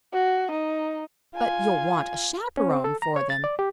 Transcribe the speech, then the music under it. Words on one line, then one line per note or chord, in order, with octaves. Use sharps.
"But you'll want a chaperone for them."
F#4
D#4
F4 G#5
C#4
C4
A4
A#5
C#5
A6
D5
G4